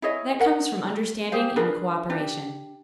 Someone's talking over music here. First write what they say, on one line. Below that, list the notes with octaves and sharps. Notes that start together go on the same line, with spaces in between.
That comes from understanding and cooperation.
E4 G#4 C#5 D#5
A#4 F#5
G4 G#4 C5 F5
D4 G#4 A#4 B4
D4 G4